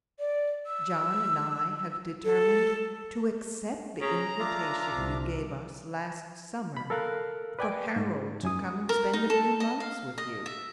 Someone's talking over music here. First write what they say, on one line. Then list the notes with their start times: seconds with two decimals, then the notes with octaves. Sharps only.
John and I have determined to accept the invitation you gave us last summer for Harold to come and spend a few months with you.
0.19 D5
0.67 E6
2.25 A4
4.01 C#3 G#4 A#5
4.40 D4 F4 E5 D6
4.91 C2
6.77 B5
6.90 A4 A#4 F5 F6 F#6
7.59 B4 D5 G5 G#5 D6
7.96 G#2
8.43 F#2 G#5 D#6
8.89 A#4
9.14 D#4
9.30 A4
9.60 D#5
9.80 F5
10.18 D#5
10.46 E5